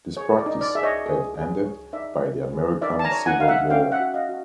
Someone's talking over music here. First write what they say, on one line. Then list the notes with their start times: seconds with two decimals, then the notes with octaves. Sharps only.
This practice had ended by the American Civil War.
0.17 G#4 C#5
0.38 D5
0.46 D#4
0.61 D5
0.75 G#4 E5
0.83 C#5 D#5
1.06 G#4
1.34 G#4
1.64 C#5
1.93 D#4 D5 E5
2.23 D#4
2.52 G#4
2.81 D#4 D5 E5
2.99 A5
3.04 G#5 A#5
3.11 C#5
3.26 F#5 G#5
3.40 D#4 F5
3.48 E5 F#5
3.70 C#4 F5 G5
3.92 E5 F#5
4.00 F#4
4.14 D#5 F5
4.29 F#4